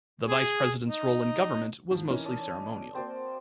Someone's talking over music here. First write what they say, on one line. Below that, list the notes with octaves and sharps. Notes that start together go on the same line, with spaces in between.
The Vice-President's role in government was mostly ceremonial.
G#4
D#4
G#2 F3
E3 C#4 D#4 A#4
D5 A5 D#6
A#3 C4 F#4 C5 D5